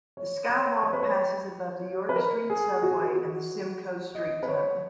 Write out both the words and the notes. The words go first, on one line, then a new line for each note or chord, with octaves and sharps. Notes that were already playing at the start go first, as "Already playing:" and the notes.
The SkyWalk passes above the York Street 'subway' and the Simcoe Street Tunnel.
C#5
C#5
C#5
B4
C#5
B4
A#4
G#4
F#4
G#4
F#4
F#4
D#5
B4
C#5